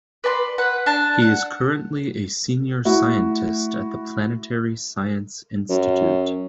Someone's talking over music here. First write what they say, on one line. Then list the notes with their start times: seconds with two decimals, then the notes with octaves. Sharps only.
He is currently a senior scientist at the Planetary Science Institute.
0.24 B4 D5 A5 C6
0.58 B4 F#5
0.86 D4 A5
1.22 F#5
2.85 A3 E4 F#4
5.69 F#2